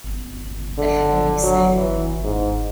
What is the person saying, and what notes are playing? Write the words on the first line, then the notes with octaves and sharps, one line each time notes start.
The hell you say!
D3
F#3
E3
G#2